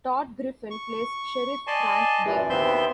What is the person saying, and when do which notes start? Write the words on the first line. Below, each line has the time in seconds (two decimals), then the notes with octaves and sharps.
Tod Griffin plays Sheriff Frank Day.
0.71 C#6
1.67 D5 D#5 G#5 A5 C6
2.25 F#2 A#2 E3
2.50 D#2 B3 C4 E5 C6 G6